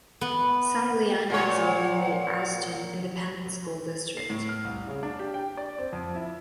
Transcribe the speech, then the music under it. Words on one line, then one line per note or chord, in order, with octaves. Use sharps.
San Leanna is within the Austin Independent School District.
B3
A#2 C#5 F#5
C7
A2
F6
C2
C#3
D4
G4
G5
D5
C4
F2
E4